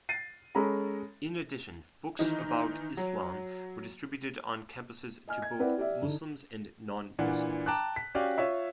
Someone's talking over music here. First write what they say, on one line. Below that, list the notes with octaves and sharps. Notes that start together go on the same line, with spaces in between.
In addition, books about Islam were distributed on campuses to both Muslims and non-Muslims.
A6 C7 D#7
G#3 C#4 A4 A#5 B5
D#3 E3 D#4
F#3
D#5 G#5 F6
G#6
C4 E4 B4 D5 F#5
G4 D5 E5
D3 D#4
A#2 E3 D4 F#5
G5 A5 A#5 D6 F#6
B6
C#4 F#4 G4 D5 F5
F4 C#5 E5